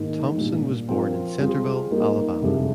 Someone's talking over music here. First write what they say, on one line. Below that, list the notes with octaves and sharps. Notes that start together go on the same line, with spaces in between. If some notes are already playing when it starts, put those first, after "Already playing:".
Thompson was born in Centreville, Alabama.
Already playing: G#2 D#3 A#3 D#4
A#2 G3 D4
F3 C4 F4 A#4
G3 C4 F4 G#4
G3 A#3 D#4 G4 A#4
F2 C3 G3 D4 G#4